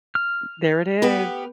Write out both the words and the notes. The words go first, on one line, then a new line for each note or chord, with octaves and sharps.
There it is.
F6
B3 G4 B4